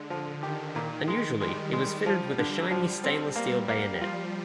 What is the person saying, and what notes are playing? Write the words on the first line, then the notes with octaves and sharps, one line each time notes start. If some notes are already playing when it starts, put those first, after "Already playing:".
Unusually, it was fitted with a shiny stainless steel bayonet.
Already playing: D3 G#3
D3 F3
D#3 G4
A#2 D#3
G#3
G3 G#3
G#3
F3 G3
D3
F3
C4
G3 A#3
A#3
F3 F4